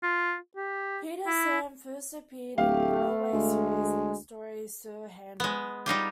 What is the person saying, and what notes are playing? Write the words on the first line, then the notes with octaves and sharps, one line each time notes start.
Peter Sam first appeared in "The Railway Series" in the story "Sir Handel".
F4
G4
E4
D1 A3 G4 F5
D2 G#3
G#3 B3
G3 D#4 F4 G4